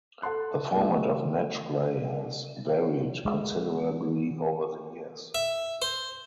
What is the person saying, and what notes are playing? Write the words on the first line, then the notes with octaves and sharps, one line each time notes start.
The format of match play has varied considerably over the years.
A4 F#5 A5 C6 F#6
G#3 A3 D#4 F4 G4
G#3
E5
C5